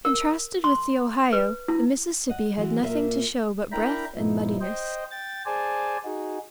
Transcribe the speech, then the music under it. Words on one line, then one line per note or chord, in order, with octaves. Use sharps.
Contrasted with the Ohio, the Mississippi had nothing to show but breadth and muddiness.
A#4
C6
B4
E4
D#5 F#5
E3 G#3 F#4
A#2 A#3 F4 A4 E5 F5
D4 E4 A#4 G5 A#5 B5
G2 A#2 F3 B3 D#4 E4
C5 D#5 G5
G5 A6
G#4 C5 D5 G#5 A5
D#4 F#4 G#4